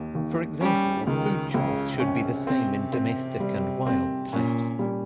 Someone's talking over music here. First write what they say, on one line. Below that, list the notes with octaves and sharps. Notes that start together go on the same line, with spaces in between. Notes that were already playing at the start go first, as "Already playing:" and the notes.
For example, food choice should be the same in domestic and wild types.
Already playing: D#2
D#2
G3 C#4
C#2 D#3
C#2 C#3
C3 C#4
C4
C4
G3
C4
A#2 C#4
G3